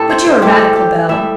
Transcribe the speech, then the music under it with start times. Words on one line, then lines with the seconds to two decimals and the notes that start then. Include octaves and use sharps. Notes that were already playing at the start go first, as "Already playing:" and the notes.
But you're a radical, Bell.
Already playing: A2 A3 E4 G4 A4
0.09 C5
0.26 C5
0.42 A2 A3 G4
0.51 A4
0.59 G4
0.76 G4
1.09 A2 G3 E5